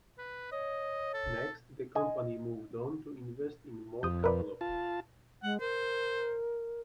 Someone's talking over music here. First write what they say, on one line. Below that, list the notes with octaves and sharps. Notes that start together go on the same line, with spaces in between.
Next, the company moved on to invest in more catalogs.
B4
C#5 D#5
A4
D#5 G#5
F2 D#6 G6
A#4 B4 D5
F4 A5
G#3 F#5
A#4 C5